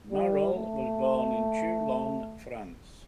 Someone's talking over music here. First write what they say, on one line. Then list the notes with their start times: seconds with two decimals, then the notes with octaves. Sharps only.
Mayol was born in Toulon, France.
0.12 G3
0.55 A3